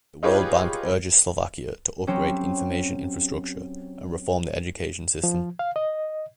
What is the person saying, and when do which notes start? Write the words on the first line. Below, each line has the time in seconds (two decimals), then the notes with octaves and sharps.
The World Bank urges Slovakia to upgrade information infrastructure and reform the education system.
0.23 D#4 F4 G4 G#4 B4 C#5
2.07 F#3 C4 C#4 G4
5.24 F3
5.59 F5
5.76 D#5